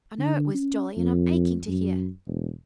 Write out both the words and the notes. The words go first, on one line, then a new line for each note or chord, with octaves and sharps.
I know it was jolly, and I'm aching to hear.'
D3
C#4
F2
F#2
E1